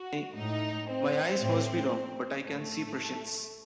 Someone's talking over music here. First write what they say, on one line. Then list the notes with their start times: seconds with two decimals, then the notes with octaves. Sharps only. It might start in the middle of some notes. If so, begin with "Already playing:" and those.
My eyes must be wrong, but I can see Prussians.
Already playing: F#4
0.35 A2 D#4
0.88 C4
1.41 A2
2.48 A2 A3